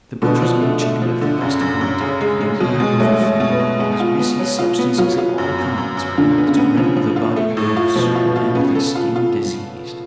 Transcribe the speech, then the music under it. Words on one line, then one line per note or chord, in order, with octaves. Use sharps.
The butchers' meat should be of the best quality, and not over-fat, as greasy substances of all kinds are apt to render the body gross and the skin diseased.
B2 D3
F3
A3
A3
F3
D3
F#2 C#3
F#2
F#2
C#3
G#3
G#3
B2 F#3
B2 G#3
F#3 A3
F#3
B2
B3
B2
G#3 B3
F4
B3
F#3
F4
B3
F#3 F4
F4
F#2
F#2
F#2
F#2
D3 F4
B3
C#3
B3
F3
F3
F4
A3
A2
F4
B2 F3
F4
B2
F4
C#3 B3
A4
F4
F4